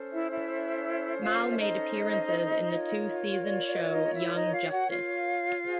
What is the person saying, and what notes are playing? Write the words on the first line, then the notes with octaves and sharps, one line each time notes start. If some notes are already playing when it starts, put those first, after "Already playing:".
Mal made appearances in the two season show "Young Justice".
Already playing: C#4 A4 C5
E4 E5
E4 E5
F4 F5
E5
D#4 D#5
F4 A#4 C#5
D5
D5
D#5
D5
D#4 D#5
E4 E5
D#4 D#5
F4 F5
F#4 F#5
F4 F5
G#4 C5